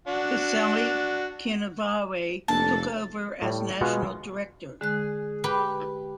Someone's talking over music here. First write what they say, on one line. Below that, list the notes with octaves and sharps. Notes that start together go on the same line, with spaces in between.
Peceli Kinivuwai took over as National Director.
D4 F#4
F1 A#3 D4 A4 A5
A2 G3
B2 G#3 B3 F4 F#4 F#5
D3 G#3 G#4 F#6
G4 B4